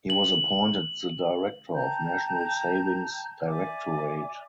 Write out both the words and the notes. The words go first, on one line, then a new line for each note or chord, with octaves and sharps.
He was appointed the Director of National Savings Directorate.
F#7
G5 A5 A#5 G6
D5 E5 G#5 D6